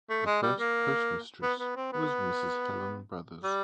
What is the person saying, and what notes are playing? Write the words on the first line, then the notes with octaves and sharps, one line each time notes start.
The first Postmistress was Mrs. Helen Brothers.
A3
G#3
G3
A#3
B3
B3
C4
B3
G3